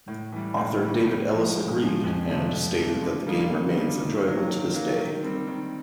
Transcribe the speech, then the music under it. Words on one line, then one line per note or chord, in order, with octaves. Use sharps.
Author David Ellis agreed, and stated that the game remains enjoyable to this day.
A2
E3 G3
A2
E3 G3
A2
F3 G#3
A2
F3 G#3
F2
C3 F3 A3
F2
C3 F3 A3
D3
G3 A#3 D#4
D3
G3 A#3 D#4
D#3
F#3 A#3
D#3
F#3 A#3
D#3
G3 C4
D#3